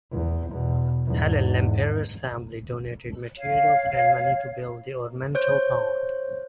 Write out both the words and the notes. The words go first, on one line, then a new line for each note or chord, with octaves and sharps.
Helen Lempriere's family donated materials and money to build the ornamental pond.
E2
E2 B2
E2 G#2
C#5 F5
C5 C#5 G6